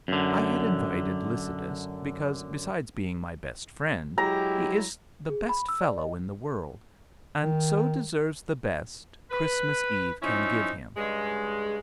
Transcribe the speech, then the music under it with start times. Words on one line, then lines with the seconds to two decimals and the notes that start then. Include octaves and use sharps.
I had invited Lycidas, because, besides being my best friend, he is the best fellow in the world, and so deserves the best Christmas eve can give him.
0.08 F#2 D3
4.18 F#3 G#3 E4 G4 A#5
5.30 G#4
5.49 B5
5.69 E6
5.81 D5
5.98 D#5
7.43 D#3
9.31 B4
10.22 F3 C4 C#4 D#4 E4
10.97 G2 C#3 G#3